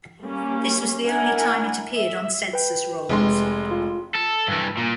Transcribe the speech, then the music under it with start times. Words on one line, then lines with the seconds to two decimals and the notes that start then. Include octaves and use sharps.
This was the only time it appeared on census rolls.
0.22 G3 A#3 C#4
1.06 D4 E4 A#4 F#5 G#5
1.95 E5
2.53 B4 G5
3.09 F1 G#3 C6
3.71 F4
4.15 A4
4.48 G2 E3
4.77 A#2